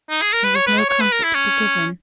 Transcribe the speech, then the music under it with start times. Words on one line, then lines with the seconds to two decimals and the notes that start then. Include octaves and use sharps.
There was no comfort to be given.
0.10 D#4
0.22 G#4
0.33 A#4
0.44 B4
0.55 C#5
0.67 B4
0.78 C#5
0.89 C#5
1.01 B4
1.12 A#4
1.24 E4
1.35 C#4